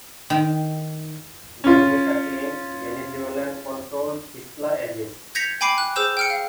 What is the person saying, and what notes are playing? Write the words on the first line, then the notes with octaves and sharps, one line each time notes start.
Dominica claims Venezuelan controlled Isla Aves.
D#3
C#4 F4
G6 G#6 A#6 B6 C#7 F7
G5 G#5 B5 D6 C7
F#6
G#4 C5 E6 G6 E7
G5 F6 C#7
F5